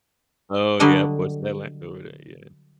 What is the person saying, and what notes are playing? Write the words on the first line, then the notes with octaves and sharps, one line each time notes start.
Oh, yep, "What's that land over there?" Yeah.
D3 F#3 G3 D4 D#5